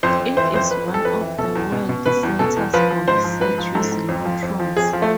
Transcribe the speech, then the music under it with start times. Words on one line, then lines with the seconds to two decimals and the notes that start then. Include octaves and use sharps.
It is one of the world centres for research using neutrons.
0.03 F2 C5
0.20 F2
0.37 E3 C5
0.54 F2 C5
0.71 F2 B4
0.88 F2
0.94 A4
1.05 F2 B4
1.21 E3
1.38 B2 A4
1.55 E2
1.72 B2
1.89 B2
2.06 B2 B4
2.23 E2
2.39 B2 A4
2.56 E2
2.73 F3 B4
2.91 F3
3.08 G#2 C5
3.24 F3
3.41 G#2 B4
3.58 F3
3.75 G#2 A4
3.92 G#2
4.09 F2
4.25 F3
4.42 F2
4.60 F3
4.77 F2 G#4
4.93 F3
5.02 A3